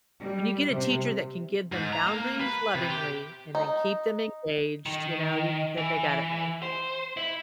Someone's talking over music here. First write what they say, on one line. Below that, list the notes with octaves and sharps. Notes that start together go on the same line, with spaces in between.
when you get a teacher that can give them boundaries lovingly and then keep them engaged, you know, you then they got it made.
G3
C3
G#2
A#5
A#3
B4
C3
G4
D#4
D#3
E3
C5
E4